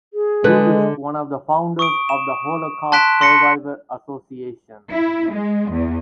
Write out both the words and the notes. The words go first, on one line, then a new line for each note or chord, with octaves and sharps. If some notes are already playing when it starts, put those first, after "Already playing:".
He is one of the founders of the Holocaust Survivor Association.
G#4
D3 G#3 B4
C#6 D#6 D7
E7
A5 C6 F#6 B6 D7 E7
C6 A#6 C#7
E4
G#3
E2